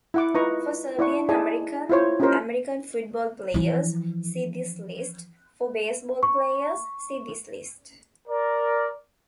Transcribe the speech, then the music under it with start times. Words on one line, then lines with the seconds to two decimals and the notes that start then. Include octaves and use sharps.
For Serbian-American American football players, see this list; for baseball players, see this list.
0.14 E4 F#5 D6
0.35 D#4 F4 B4 A#5 C#6
0.99 E4 D5 F#5 C#6
1.29 D#4 E4 G#4 D5 G#5 A5
1.89 E4 F4 C5 C#5
2.20 C#4 D#4 F4 G4 A#4 C5
3.54 E3 F3
6.23 C#6
8.28 A#4 D5